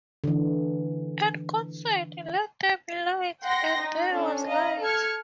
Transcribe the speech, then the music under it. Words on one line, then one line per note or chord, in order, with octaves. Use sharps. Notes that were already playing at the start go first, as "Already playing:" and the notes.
And God said, Let there be light: and there was light.
D3 E3
F#5 G5 C6 A#6
D#4
C#4 D4 A4
D#5 F5 A#5
A4 F6 G#6 C#7